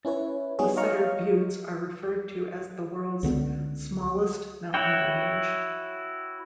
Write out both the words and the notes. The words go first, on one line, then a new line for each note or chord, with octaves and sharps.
The Sutter Buttes are referred to as the world's smallest mountain range.
C#4 E4 B4 C#5
G3 B3 D#4 F#4 G#4 C#5
C#5 D#5 F5 A#5 C#6 F6
C#2 D3 B3
E4 F#4 C#5 G5